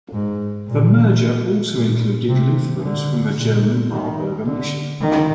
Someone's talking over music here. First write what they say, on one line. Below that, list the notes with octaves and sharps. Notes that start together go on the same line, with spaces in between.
The merger also included Lutherans from the German Marburger Mission.
G#2
A#2
A#2
C3
D3
A#2
D#3
D3
D#3